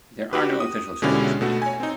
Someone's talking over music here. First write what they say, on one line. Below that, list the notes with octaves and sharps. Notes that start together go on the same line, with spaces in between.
There are no official trails in the area.
F#4 G4 B4
D#6
B2 D3 G#3 C#4 E4 G4
B2 A3 F#4
C#5 G#5
C4 D#4